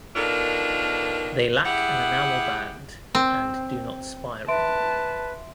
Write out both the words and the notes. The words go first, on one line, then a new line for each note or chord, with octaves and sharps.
They lack an enamel band and do not spiral.
B2 D#3 D4 F4 A4 A#4
E4 G4 G#4 F#5
C4
B4 E5 A5 C6 D7